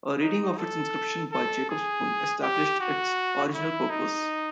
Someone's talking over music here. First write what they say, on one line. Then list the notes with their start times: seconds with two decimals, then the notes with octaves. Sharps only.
A reading of its inscription by Jacob Spon established its original purpose.
0.22 D#4
0.58 A4
1.32 A4
1.70 G#4
2.43 G4
2.81 F#4
3.54 E4
3.90 D#4